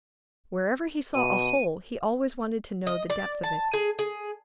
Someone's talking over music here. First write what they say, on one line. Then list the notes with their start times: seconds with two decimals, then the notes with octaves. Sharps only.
Wherever he saw a hole he always wanted to know the depth of it.
1.15 B2 D#7
2.87 D#5
3.10 D5
3.44 A5
3.74 G#4
3.99 G#4